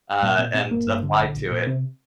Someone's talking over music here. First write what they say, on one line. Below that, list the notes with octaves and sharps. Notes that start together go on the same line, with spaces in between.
uh, and applied to it.
A#2 G3
A#2 C4
A#2 C4
G1 A#3
G2
D3
A#1
A#1
A#2
C3 C4